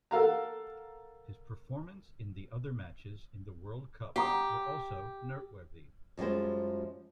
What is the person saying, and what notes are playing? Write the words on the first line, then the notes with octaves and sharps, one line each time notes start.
His performance in the other matches in the World Cup were also noteworthy.
A4 A#4 F5 F#5 A#5
G4 F#5 A#5 D#6
F#2 F3 G3 G#3 C5